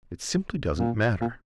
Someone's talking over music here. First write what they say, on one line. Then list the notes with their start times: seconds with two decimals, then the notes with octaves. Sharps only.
It simply doesn't matter.
0.78 A#2
1.21 A#2